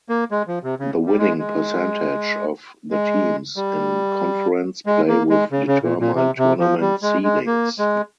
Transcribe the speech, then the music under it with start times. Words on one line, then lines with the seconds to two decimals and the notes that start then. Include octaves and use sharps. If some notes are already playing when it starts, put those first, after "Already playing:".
The winning percentage of the teams in conference play will determine tournament seedings.
0.09 A#3
0.31 G#3
0.48 F3
0.63 C3
0.80 C#3
1.06 G3
1.18 G#3
1.39 G#3
2.91 G#3
3.56 G3
4.86 G#3
5.08 A#3
5.29 G#3
5.51 C#3
5.67 C#3
5.83 A#2
6.00 A#2
6.16 C3
6.38 C3
6.60 F3
6.81 G3
7.02 G#3
7.24 G#3
7.46 A#3
7.79 G#3